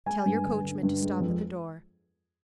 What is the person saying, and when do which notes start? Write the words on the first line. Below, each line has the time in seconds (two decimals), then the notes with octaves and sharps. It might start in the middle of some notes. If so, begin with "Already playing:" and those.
"Tell your coachman to stop at the door."
0.06 G#3 G#5
0.26 G2
0.45 D3
0.63 D3
0.83 G2
1.02 G#3
1.20 F2